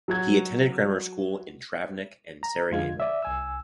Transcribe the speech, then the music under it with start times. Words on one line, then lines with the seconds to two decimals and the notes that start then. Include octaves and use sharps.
He attended grammar school in Travnik and Sarajevo.
0.08 F#3 F#4 G#6
2.43 A#5
2.71 F2 D3 G#3 F4 G#6
3.00 D5 E5
3.23 C2 G#5 E6